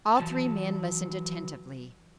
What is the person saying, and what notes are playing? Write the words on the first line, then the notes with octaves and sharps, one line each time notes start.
All three men listened attentively.
E3 F#3 A5